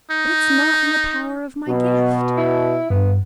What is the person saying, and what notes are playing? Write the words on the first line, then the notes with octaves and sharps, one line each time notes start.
But it's not in the power of my gift.
D#4
B2 F#3
E4
G2 B3